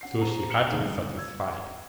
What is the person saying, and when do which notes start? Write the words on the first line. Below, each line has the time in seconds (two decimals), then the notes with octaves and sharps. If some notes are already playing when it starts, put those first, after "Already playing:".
So she had to be satisfied.
0.01 C#4 F#5 C7
0.19 G#4 C5 A#5 D#7
0.50 F6 C7 C#7 E7 F#7 G7
0.70 E1 D2 C#3 A3 D#4 G#4
0.84 G2
1.17 E6 G#6